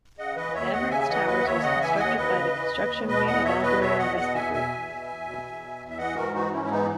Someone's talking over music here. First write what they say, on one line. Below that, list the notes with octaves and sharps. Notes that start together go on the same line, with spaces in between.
The Emirates Towers was constructed by the construction wing of Al Ghurair Investment group.
C#3 D#5 F#5
E3 B4 D#5
D#2 C#5 E5
D#2 D#5 F#5
C#3 E5 G#5
G#5
E3 D#5 F#5
D#2 B4 D#5
F#5
D#2 C#5 E5
C#3 D#5 F#5
E3 E5 G#5
G#5
D#2 D#5 F#5
D#2 B4 D#5
C#3
E3
D#2
D#2
B2 B4 D#5
E2 D#5 F#5
B2 C#5 E5
E2 B4 D#5
B2 C#5 E5
E2 D#5 F#5
B2 D#5 F#5
E2 E5 G#5
B2 E5 G#5
E2
B2
E2
B2
E2
B2
E2
E5
E3 D#5 F#5
G#2 F#4 A#4
E3 D#4 F#4
G#2 C#4 E4
E4
E3 B3 D#4